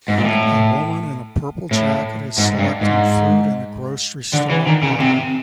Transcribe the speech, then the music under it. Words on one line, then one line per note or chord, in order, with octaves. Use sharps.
A woman in a purple jacket is selecting food in a grocery store aisle.
G#2
A#2
A2
A2
G#2
G2
G#2
D3
E3
D#3
C#3
C3